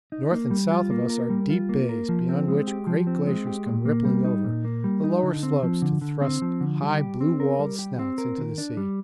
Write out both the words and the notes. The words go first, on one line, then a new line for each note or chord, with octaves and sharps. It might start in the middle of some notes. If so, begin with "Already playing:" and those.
North and south of us are deep bays, beyond which great glaciers come rippling over the lower slopes to thrust high blue-walled snouts into the sea.
D#4
A#3
G3
F4
A#3
A#4
G3
F4
A#3
A#4
F3
C4
G#3
G4
F3
C4
G#3
G4
A#2
A#3
G3
D#4
A#2
A#3
G3
D#4
D3
C4
F3
D3
D3
C4
F3
D3
G3
G4
C4
A#4
G3
G4
C4
A#4
D#3
D4
G3